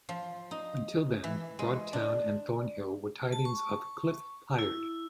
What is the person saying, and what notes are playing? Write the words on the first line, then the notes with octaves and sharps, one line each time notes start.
Until then, Broad Town and Thornhill were tithings of Clyffe Pypard.
F3
D#4
E3
G#3
D4
A5
C#6
E4